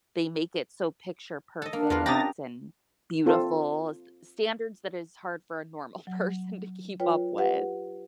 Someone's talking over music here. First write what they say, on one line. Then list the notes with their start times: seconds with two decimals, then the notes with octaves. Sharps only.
they make it so picture perfect and beautiful, s standards that is hard for a normal person to keep up with.
1.62 A4 D#5
1.73 A#3 D4
1.90 E2 F4 A#4 B4 F5
2.06 C3 C#4 G4 A#5 B5 D#6 A6 A#6
3.26 C4 F4 A4
6.07 F#3
7.00 F4 B4 C#5 G5
7.38 G4 B4 F#5